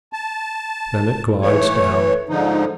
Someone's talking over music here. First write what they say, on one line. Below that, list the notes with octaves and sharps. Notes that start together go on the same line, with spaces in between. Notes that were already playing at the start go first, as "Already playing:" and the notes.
Then it glides down.
A5
E3 A3 C#5
G#2 D3 F3 D#4